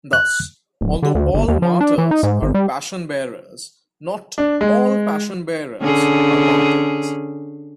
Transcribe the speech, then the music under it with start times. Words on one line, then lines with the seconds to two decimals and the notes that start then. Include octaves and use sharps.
Thus, although all martyrs are passion bearers, not all passion bearers are martyrs.
0.13 F#6
0.81 D1
1.03 D3
1.15 D2
1.34 G1
1.48 D#2
1.62 F3
1.81 D4
1.98 E3
2.11 D#4
2.23 G#2
2.42 G#1
2.54 G3
4.38 D4
4.61 G#3
5.81 D3 C#4 G#4